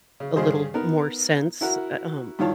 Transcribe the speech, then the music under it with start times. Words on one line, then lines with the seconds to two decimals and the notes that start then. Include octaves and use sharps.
a little more sense, eh, um,
0.20 C#3
0.36 G2 C#3 G#4 C5 D#5
0.74 B3 D#4 A#4
1.61 E4 F#4 A#4 F#5
2.39 G2 D#3 E3 F4 C#5 A5